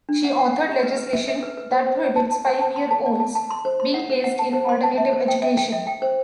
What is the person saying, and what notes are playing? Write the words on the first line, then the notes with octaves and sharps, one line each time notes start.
She authored legislation that prohibits five-year-olds being placed in alternative education.
D4
F#5
F#5
F#5
G4
B4
B4
E5
E5
B4
B4
C5
C5
C5
A5
A5
C5
A5
C6
A5
D5
A5
A5
C6
C5
C6
F#5
C5
F#5
A5
C5
C6
A5
E5
C5
G5
E5
G5
E5
G5
C5